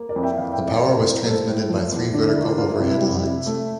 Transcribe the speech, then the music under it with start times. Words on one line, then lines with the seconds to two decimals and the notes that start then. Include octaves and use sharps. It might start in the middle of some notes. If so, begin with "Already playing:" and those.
The power was transmitted by three vertical overhead lines.
Already playing: A#3
0.09 A#4 D5
0.16 F2
0.23 E5 G5
0.37 E3 D5 F5
0.52 E5 G5
0.60 F2
0.67 D5
0.77 E5
0.82 C4
0.87 A#4 D5
1.04 A2
1.15 A#4
1.25 G3 A4 C5
1.48 A2
1.70 F3
1.92 E2
2.14 D3 D4
2.28 E4
2.36 A#3
2.43 D4 F4
2.58 A#3 D4 F4
2.73 E4
2.80 C3
2.88 E4
3.02 G3
3.24 C3
3.46 A3